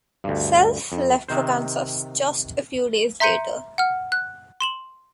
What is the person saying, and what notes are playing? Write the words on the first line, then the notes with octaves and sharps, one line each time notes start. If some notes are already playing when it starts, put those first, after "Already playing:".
Self left for Kansas just a few days later.
D2 G2
F2
C3 D#3 C5
E5 A#5 C6 G6 C#7 D#7
F#5 F6
F#6
C6 E7 F#7